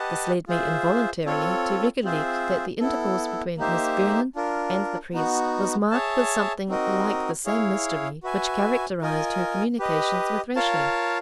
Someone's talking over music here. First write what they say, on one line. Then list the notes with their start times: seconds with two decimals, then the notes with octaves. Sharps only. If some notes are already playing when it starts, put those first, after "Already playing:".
This led me involuntarily to recollect that the intercourse between Miss Vernon and the priest was marked with something like the same mystery which characterised her communications with Rashleigh.
Already playing: G4 B4 D#5 F#5 A5
0.48 F4 G#4 C5 E5
1.25 C4 F4 A4 C#5
2.03 C4 F4 G#4 C5 E5
2.80 B3 E4 A4
3.58 A#3 D#4 G4 C5 E5
4.35 D4 F4 A#4
5.14 B3 D#4 F#4
5.91 G#4 C#5 E5 A5
6.69 C4 D#4 F#4 A#4 D#5
7.46 E4 G#4 C#5 F5
8.23 F#4 B4 E5 G#5
9.02 F4 A#4 D#5 G#5
9.79 G4 B4 D#5
10.56 F4 A#4 C#5 F5 A5